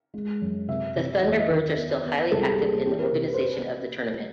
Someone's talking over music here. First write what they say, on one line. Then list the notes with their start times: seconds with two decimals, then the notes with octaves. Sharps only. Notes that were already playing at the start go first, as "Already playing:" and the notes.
The Thunderbirds are still highly active in the organization of the tournament.
0.14 G#3
0.41 F#2
0.68 C3 E5
0.95 C3
1.22 E2 D#5
1.31 E5
1.39 D#5
1.49 D#3
1.77 B3
2.04 B3
2.31 C2 A4
2.41 G#4
2.50 G4
2.59 A#3 G#4
2.86 E3 G4
2.99 A#4
3.13 C3
3.26 B4
3.34 C5
3.42 B4